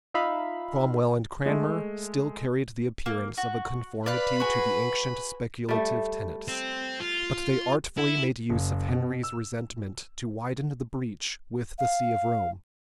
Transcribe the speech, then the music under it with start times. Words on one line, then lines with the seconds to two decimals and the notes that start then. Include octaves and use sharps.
Cromwell and Cranmer still carried the appearance of a conformity to the ancient speculative tenets; but they artfully made use of Henry's resentment to widen the breach with the see of Rome.
0.14 D#4 F4 E5 F5 B5
1.46 G#3 A3
3.06 A#3
3.38 F#4
4.06 B4 D5 F5 B5 F#6
4.40 F#4 G#4
5.69 G3 A3
6.48 C4
7.00 F4
7.97 E4
8.49 F#1
8.89 B2
9.23 E6
11.79 F5